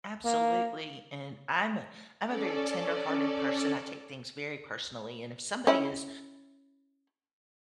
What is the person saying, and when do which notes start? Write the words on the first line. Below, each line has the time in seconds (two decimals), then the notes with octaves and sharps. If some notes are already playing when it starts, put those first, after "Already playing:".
Absolutely and I'm a I'm a very tenderhearted person I take things very personally and if somebody is
0.24 A#3
2.23 C#4 A4 D5
5.67 C#4 E4